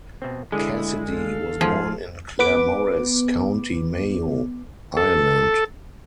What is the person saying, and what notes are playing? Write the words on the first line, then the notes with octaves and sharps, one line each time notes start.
Cassidy was born in Claremorris, County Mayo, Ireland.
B2 C4
D3 G#3 E4 G#4
A4 F5
G#2 F3 B3 F4 G#4
B3 B4 D6
A4